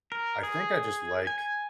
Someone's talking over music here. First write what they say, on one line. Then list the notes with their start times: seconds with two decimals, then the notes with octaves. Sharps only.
I think I just like
0.12 A#4
0.43 G#4
1.27 G#5